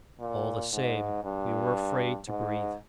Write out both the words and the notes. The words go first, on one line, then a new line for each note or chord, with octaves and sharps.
All the same, we were afraid to breathe.
A#2
G#2
G2
G#2